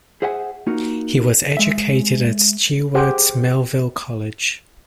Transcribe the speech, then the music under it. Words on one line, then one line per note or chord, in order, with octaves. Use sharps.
He was educated at Stewart's Melville College.
G#4 C5 E5 F#5 G#5
A#3 D#4 F4 F#4
G#3 E5
G4 G#4 C5 F#5 G5